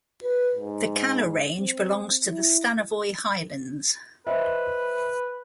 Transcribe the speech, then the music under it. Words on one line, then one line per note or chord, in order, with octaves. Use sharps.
The Kalar Range belongs to the Stanovoy Highlands.
B4
G#2
C4
E4
B4 C5 D#5 E5